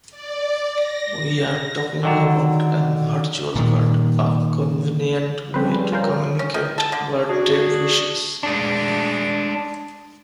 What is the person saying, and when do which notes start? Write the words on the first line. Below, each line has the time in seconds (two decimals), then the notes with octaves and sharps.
We are talking about an virtual-card, a convenient way to communicate birthday wishes.
0.11 D5
0.73 A#6
2.03 D3 D#3 F#3
3.55 A#2 D#3
5.54 F3 G3 C4 C#4 B4
5.92 F4 A#4 C5
6.39 C#4
6.54 D#3
6.78 A4
6.92 D3
7.29 D4 F#4 G#4
8.43 G#3 D4